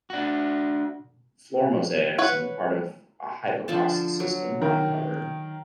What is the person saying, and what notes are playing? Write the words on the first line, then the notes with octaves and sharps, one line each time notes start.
Floor mosaics and part of a hypocaust system were uncovered.
D4 F#4
B4 C#5 F#5
D3 F3 A5
F#3
D#3 A#4